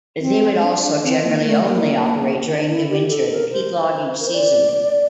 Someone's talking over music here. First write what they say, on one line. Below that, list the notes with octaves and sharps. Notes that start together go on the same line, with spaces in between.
They would also generally only operate during the winter, the peak logging season.
C4
D4
C4
A#3
A3
A#3
E4
G4
A4
A#4
C5
A#4
C5
D5